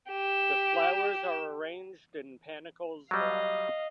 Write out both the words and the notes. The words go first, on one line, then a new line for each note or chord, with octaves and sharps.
The flowers are arranged in panicles long.
G4 E7
F#3 G3 D#5 F5